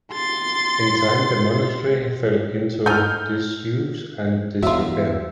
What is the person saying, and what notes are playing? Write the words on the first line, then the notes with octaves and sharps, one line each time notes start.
In time the monastery fell into disuse and disrepair.
C6 A6
D#4 A4 G#5 F6 G6
E2 F#3 G#3 F4 E5